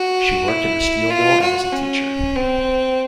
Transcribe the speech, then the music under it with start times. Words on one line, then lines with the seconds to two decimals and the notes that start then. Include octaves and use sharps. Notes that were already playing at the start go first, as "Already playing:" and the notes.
She worked in a steel mill and as a teacher.
Already playing: F#4
0.48 E4
1.11 F4
1.42 F#4
1.73 C#4
2.35 C4